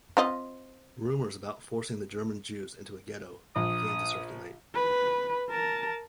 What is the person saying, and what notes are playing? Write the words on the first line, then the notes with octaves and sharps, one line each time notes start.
Rumors about forcing the German Jews into a ghetto began to circulate.
C4 F4 D#5
A#1 D#6
B4
A#4 A5